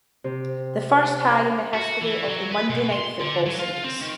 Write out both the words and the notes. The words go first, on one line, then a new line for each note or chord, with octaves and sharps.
The first tie in the history of the "Monday Night Football" series.
C3
F#4
E3
F#3
B4
B2
C6
D3
F#3
F4
C4
D#3